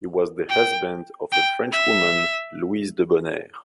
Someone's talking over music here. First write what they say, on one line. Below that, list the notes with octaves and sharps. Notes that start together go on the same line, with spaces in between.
He was the husband of a Frenchwoman, Louise Debonaire.
G5
G5
E5